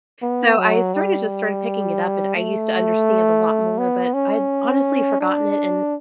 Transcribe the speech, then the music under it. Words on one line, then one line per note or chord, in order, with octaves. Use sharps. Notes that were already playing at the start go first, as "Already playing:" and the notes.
So, I sorta just started picking it up, and I used to understand a lot more, but I'd honestly forgotten it, and
B3
F#3
G3
A3
B3
C#4
D4